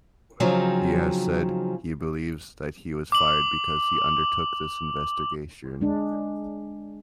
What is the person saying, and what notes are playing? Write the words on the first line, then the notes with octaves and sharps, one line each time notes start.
He has said he believes that he was fired because he undertook this investigation.
C#3 F3 F#3 C4 D#4
D6 F#7
G#3 D4